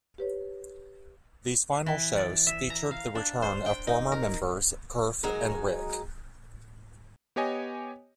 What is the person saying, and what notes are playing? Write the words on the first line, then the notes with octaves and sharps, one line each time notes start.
These final shows featured the return of former members Kurf and Rick.
G4 B4 C#5
E3
D5
E5
A#5
F5
D4
C5
G5
D#4
A#4
F#3 G#3 D#4 A#4
B3 G4 C#5 D#5 G#5